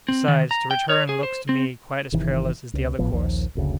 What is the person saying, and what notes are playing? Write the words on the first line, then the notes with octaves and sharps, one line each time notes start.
Besides, to return looks to me quite as perilous as the other course.
C4
D#3
A#5
G5
C#5
G#4
C5
C4
G1 C3 D#3 E3
C#2
G#1 A2 F3 B3
A#1 D#2 D#3 F3
F#1 D2 C#3